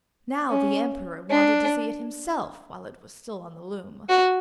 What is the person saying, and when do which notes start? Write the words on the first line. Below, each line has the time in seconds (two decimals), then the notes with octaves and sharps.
Now the Emperor wanted to see it himself while it was still on the loom.
0.50 C#4
1.31 D4
4.09 F#4